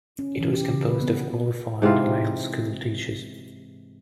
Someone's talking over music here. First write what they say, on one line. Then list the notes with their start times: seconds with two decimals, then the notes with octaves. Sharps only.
It was composed of qualified male school teachers.
0.19 C#4
0.40 E3
0.53 G4
0.70 C#3
0.88 B4
1.02 B3
1.82 G#2 C3 E3 F4